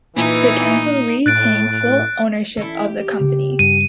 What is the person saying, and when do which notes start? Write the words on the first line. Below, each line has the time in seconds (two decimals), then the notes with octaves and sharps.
The council retained full ownership of the company.
0.16 A#2 E3 D#4
1.26 A2 F#6 A6 D7
2.57 E3 C#4 E4 A4
2.84 G4
3.19 C#3 F4
3.59 G2 D#7